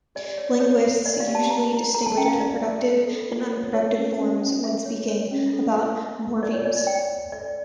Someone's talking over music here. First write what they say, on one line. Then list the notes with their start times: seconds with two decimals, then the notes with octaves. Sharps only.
Linguists usually distinguish between productive and unproductive forms when speaking about morphemes.
0.15 G4 D5
0.38 C#5
0.60 E4 C#5
0.83 E4
1.05 E4 D5
1.20 F5
1.28 G4
1.35 A5
1.50 G4 A#5
1.73 E4
1.94 A4 A#5
2.06 A5
2.17 C#4 G5
2.28 F5
2.39 A4 D5
2.62 A4
2.84 C#5
3.07 A4
3.29 F4
3.52 C#5
3.74 F4 C#5
3.96 C#4
4.19 C#4
4.42 C#4
4.64 C#4 E5
4.86 C#5
5.09 C#5
5.31 C#4
5.53 A4
5.75 E4
5.98 E4
6.20 E4
6.42 E4 D5
6.53 C#5
6.65 C#5 D5
6.77 D5
6.87 E4 G5
7.10 C#5
7.32 A4 D5